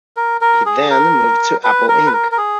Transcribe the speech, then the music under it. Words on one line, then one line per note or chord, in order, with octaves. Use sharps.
He then moved to Apple Inc.
A#4
A#4
G#4
A#4
B4
A#4
B4
A#4
A#4
G#4